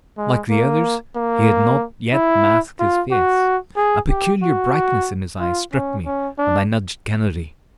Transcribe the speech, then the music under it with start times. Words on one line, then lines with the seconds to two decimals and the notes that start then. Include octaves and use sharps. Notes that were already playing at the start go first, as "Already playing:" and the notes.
Like the others, he had not yet masked his face. A peculiar brightness in his eyes struck me and I nudged Kennedy.
0.18 G#3
0.50 A#3
1.16 A#3
2.13 E4
2.79 F4
3.11 F#4
3.76 G#4
4.10 G4
4.43 F#4
5.40 F4
5.73 C#4
6.06 C#4
6.39 D4